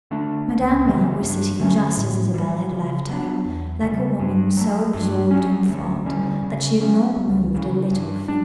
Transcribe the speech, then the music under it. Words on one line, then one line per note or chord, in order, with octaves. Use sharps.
Madame Merle was sitting just as Isabel had left her, like a woman so absorbed in thought that she had not moved a little finger.
D3 A3 D4
C#2
C#3 E3 G3
G2
D3 A3 C#4
A2
E3 G3
C#3
F#3 B3 D4
E2
C#3 G3
G2
F#3 A3
G2
F#3 C#4
D2
D3 G3 C#4
C#3
F#3 A3 C#4
C#2
C#3 E3
G2
D4